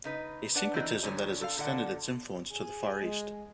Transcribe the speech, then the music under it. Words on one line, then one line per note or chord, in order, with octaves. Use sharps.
A syncretism that has extended its influence to the Far East.
C#3 D#4 B4
D4 B4 D5 F#5
E3 C4 D#4
B2 D3 F#3 C#5 G#5
A4 F5
A#2 D3 A4 D5 F#5
G#4
G#3